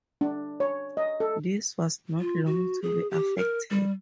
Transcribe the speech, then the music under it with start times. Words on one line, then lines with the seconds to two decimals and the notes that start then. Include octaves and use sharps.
This was not long to be effected.
0.21 D4
0.60 C#5
0.97 D#5
1.20 A4
2.21 F4
2.46 F#4
2.82 G#4
3.11 G4
3.37 A#4
3.71 G3